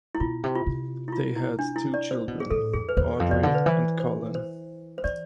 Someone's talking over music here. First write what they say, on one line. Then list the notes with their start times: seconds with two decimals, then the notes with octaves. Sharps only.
They had two children, Audrey and Colin.
0.15 E4
0.20 B2 F4
0.44 C3
0.55 F4
0.66 C3
1.08 E4
1.12 F4
1.36 E4
1.59 D4
1.76 E4
1.94 D5
2.11 C5
2.28 B2
2.40 G#4
2.50 A2 A4
2.73 F2 G#4
2.89 B4
2.97 E2 C5
3.20 F2
3.31 C3 D5
3.43 D3
3.54 B4
3.66 E3 C5
4.00 C5
4.35 C5
4.98 C5
5.04 E3 D5